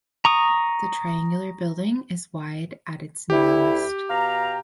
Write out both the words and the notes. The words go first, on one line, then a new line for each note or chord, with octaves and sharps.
The triangular building is wide at its narrowest.
A#5 C#6 D#6
D2 E4 G4
B2 F5 A#5